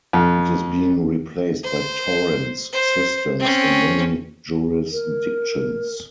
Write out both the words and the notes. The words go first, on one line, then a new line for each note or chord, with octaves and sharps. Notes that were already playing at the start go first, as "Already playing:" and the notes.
It is being replaced by Torrens systems in many jurisdictions.
F2
C5
C5
C4 C#4
A#4